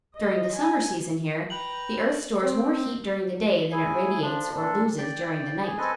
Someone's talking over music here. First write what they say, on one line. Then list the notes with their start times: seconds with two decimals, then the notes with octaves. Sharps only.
During the summer season here the earth stores more heat during the day than it radiates or loses during the night.
0.16 D#5
0.55 G#5
1.50 B4 G5 A#5 F#7
2.42 C4
3.72 E4 G#4 G#5
4.21 F3 D4
4.56 A#2 D4 A4
4.98 D5 G5
5.62 G#4
5.78 C4 A4 B4 D#5 G#5